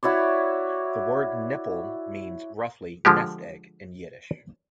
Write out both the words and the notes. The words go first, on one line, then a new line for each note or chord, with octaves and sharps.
The word "knipl" means roughly "nest egg" in Yiddish.
E4 F#4 C#5 D5
D3 F3 G#3 G4